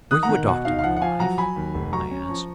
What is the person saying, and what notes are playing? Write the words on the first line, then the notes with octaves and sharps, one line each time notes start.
"Were you a doctor when alive?" I asked.
D#3 D#6 F#6
F#5 A#5
D#3
B2 F#5
D#4 F5
F5
F3 F#5
F#5
F3 F5 G#5
F#3 F#5 A#5
F#3 G#5 B5
D#2
F1
F#3 A#5 C#6
C#4
F3